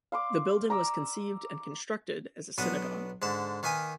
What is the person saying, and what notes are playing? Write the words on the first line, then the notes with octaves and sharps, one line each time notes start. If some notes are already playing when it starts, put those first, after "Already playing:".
The building was conceived and constructed as a synagogue.
F5 C6 D6
A#5 D6 E6
B1 B3 D4 F#5 D#6
G#2 D3 A5
D#3 A#3 B4 G#5 D#6